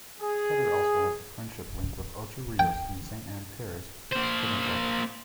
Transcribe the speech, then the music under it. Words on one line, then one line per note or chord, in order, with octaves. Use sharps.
Cheddar also has a friendship link with Ocho Rios in Saint Ann Parish, Jamaica.
G#4
G5
A#3 C5